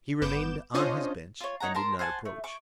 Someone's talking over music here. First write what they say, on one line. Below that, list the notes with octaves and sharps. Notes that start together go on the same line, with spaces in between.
He remained on his bench and did not approach.
G1 B3 D6 G6 E7
C#4 D4 F4 C5 C#5 D#5
F4 C#5
D#4 C#5 F#5 A#5
A#4 A5 A#5 C6
C5 F#5 G#5 A5
A3
C#6 D6